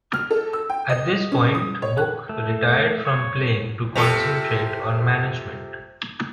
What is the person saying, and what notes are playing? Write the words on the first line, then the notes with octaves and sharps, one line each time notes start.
At this point Book retired from playing to concentrate on management.
F6
A4
E6
G5
D#5
C#4
D#6
C#5
F#6
A3
C#5
C3 F4 A4